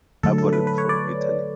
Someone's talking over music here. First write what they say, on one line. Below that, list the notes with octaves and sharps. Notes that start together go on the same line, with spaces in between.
Aborym from Italy.
D3 F#3 A3 A4
A4
B4
B4
C#5
D5